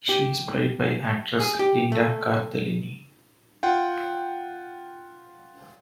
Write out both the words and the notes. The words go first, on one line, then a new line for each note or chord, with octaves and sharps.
She is played by actress Linda Cardellini.
G4
G#4
G4
A3
F4 F#5 G5